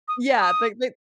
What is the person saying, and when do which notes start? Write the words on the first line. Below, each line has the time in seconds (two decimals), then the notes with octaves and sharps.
Yeah, like they
0.08 D#6
0.41 D#6